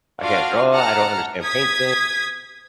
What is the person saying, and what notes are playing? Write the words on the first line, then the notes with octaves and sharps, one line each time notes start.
I can't draw, I don't understand painting,
D4 F4 F#4 F5 F6
F#5 A5 A#5 F6
D#6 G#6 B6